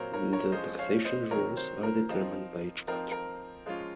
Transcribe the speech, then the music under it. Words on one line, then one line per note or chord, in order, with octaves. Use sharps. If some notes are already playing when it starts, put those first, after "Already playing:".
The taxation rules are determined by each country.
Already playing: A#2 F#3 C4 A#4 C5 C#5
A#4 C#5
A#4 C#5
F3 G#3 C#4 C5 D#5
C#5 F5
C5 D#5
C3 D#3 F#3 A#4 C#5
C5
A#4
F3 C4 D#4
F3 C4 D#4 A#4
A#4
F3 G#3 C#4 F4